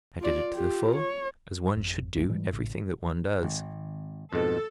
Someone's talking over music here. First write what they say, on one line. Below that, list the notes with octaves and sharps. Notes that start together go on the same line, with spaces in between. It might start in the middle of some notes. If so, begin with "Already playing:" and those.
I did it to the full, as one should do everything that one does.
F4 D5
F4 G4
C#5
G#1 F2
A1 A3
G#2 E3 G3 G#3
A1 A2 C#3
G#1
F2 G#2 B2 A4